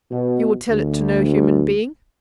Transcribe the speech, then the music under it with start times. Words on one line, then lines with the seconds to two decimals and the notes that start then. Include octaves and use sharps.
"You will tell it to no human being?"
0.12 B2
0.69 D2